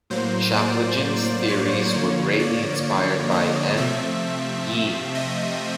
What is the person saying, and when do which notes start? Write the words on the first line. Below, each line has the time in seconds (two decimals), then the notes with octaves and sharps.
Chaplygin's theories were greatly inspired by N. Ye.
0.10 A2 F#3 A#3 C5
0.56 D5
1.48 C#5
1.94 D3 F3 A#3 C#5
2.40 D5
3.31 D#5
3.77 C3 F3 A3 C4 E5
5.15 D#5